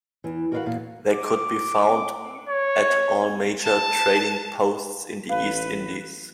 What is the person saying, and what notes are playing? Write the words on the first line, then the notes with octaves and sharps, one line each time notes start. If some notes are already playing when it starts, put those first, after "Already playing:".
They could be found at all major trading posts in the East Indies.
E2 E3
F#4 A#4 B4 D5 F5 F#5
E2 A#2 F5
D6
C#5
A5
A1 B4 F5